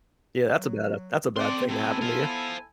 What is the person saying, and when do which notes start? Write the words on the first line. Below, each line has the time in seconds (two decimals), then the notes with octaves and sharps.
Yeah, that's a bad that's a bad thing to happen to you.
0.57 F#3
1.37 C4 A4 D5 C6
1.69 B2 F#3 E4 A4 G#5
2.01 B3 C5 F5